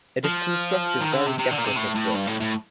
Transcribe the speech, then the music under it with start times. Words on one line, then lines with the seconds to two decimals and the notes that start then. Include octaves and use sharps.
It is constructed very decorative bricks.
0.24 F3
1.01 D#3
1.13 D3
1.26 C3
1.39 C3
1.51 D3
1.58 A#2
1.65 C3
1.77 A2
1.96 A2
2.15 G2
2.27 A2
2.40 A2